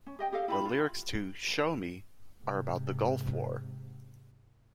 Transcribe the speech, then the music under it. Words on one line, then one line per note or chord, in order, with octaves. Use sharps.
The lyrics to "Show Me" are about the Gulf War.
C#4
G4 D#5 G5
G4 A4 D#5 F5
E4 F4 G4 B5
F4
G#2 C3